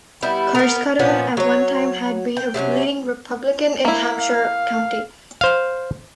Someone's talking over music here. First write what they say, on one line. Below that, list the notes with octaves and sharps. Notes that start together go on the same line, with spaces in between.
Carskadon at one time had been a leading Republican in Hampshire County.
G3 B3 E4
B3 A#4
A#2 F3 B3 C#4
F#3 C#5
G5
C3 F#3 C4 C#4
A#3 E4
F5
C5 F5